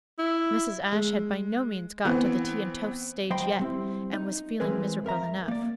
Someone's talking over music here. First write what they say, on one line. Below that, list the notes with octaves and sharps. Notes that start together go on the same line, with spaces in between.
Mrs. Ashe had by no means got to the tea-and-toast stage yet, and was feeling miserable enough.
E4
G#3
E3 B3 C4
F#3 C5 D#5 G5 B5 C6
G3 C4 E4
D#4
E3 G#3 C4 G#4 A#4 B4
F2 A#4 E5 A#5
A#3 D5